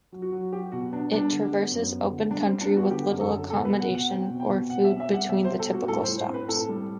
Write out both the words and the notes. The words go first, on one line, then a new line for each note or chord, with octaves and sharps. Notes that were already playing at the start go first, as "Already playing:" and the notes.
It traverses open country with little accommodation or food between the typical stops.
F#3
F#4
F#3
F#3 G4
B2 F#4
B3 D4
G3 D4
D3
B3
F#2
B3
D3
G3 D4
C4
G3
D4
B3
F#4
D3 G4
F#2
A4
D3
B2 A4
B4
B2
F#5
B2 F#5
C4 G5
B2
G5
B2
B2 F#5
E5
C4
E5
G3 F#5
B2 E5
C5
B2
A4
G3 F#4
A2 A4
C5
A2
C5
C4
B4
A2 A4
G3